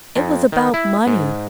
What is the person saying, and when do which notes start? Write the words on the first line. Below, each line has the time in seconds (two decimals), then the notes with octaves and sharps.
'It was about money.
0.16 F2
0.52 D#3
0.74 E4
1.07 G#2